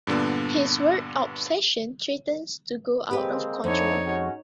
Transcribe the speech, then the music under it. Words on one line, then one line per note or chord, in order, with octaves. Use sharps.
His weird obsession threatens to go out of control.
G2 A#2 D3 B3 D4
G#3 A#3 C4 G4 B4
F2 D3 E3 D#4 C#5
G#3 C#4 F#4